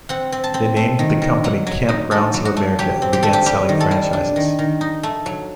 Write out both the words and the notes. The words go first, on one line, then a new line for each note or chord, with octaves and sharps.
They named the company Kampgrounds of America and began selling franchises.
C4 F#5
C4
A5
C4
A3
D#3
D#3
F#3 F#5
F#3
D#4
D#4 A4
F#3
F#4
A3
F#3 G4
C4
G4
A3 A4
G4
G3 G4
D#3
A4
G3
D4
D#3
D#3
D#4
A3
F#3